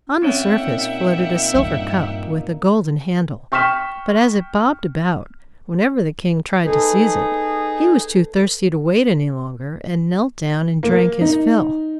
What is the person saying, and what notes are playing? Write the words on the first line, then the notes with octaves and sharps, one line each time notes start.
On the surface floated a silver cup with a golden handle, but as it bobbed about whenever the king tried to seize it, he was too thirsty to wait any longer and knelt down and drank his fill.
A#2 C4 C#4 C#5 E5 F#5 G5
A#2 A#3 D#4
G2
G5 C#6 F6 B6 E7
D#4 G#4 A4 B4
A#3
D#4